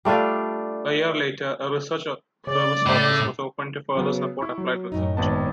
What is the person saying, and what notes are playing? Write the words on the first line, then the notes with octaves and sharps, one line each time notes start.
A year later, a Research Services Office was opened to further support applied research.
G3 A3 D4 F4
C#3 D5
A2 A3
C#3 F#3 B3
E4 C#6
F#3
F#2 A2 D#4
G#1 B3 A5